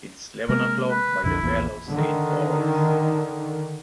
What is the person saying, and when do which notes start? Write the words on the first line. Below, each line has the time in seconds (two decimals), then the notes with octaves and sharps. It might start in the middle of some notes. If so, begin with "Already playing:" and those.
It's eleven o'clock by the bell of Saint Paul's.
0.49 C3 G#3 A#3 A#4
0.90 B4
1.24 B1 F2 D3 E4
1.43 A#1 E2 A#2
1.89 D3 D#3